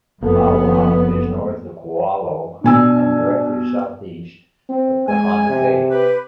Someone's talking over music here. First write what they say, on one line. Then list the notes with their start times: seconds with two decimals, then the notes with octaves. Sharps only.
Kaaawa is north of Kualoa and directly southeast of Kahana Bay.
0.23 F#1 F2 F3 A#3 B3 A4
2.64 B2 D4 G#5 E6
4.69 C4
5.08 G#3 G#5
5.49 C3
5.90 G4 B4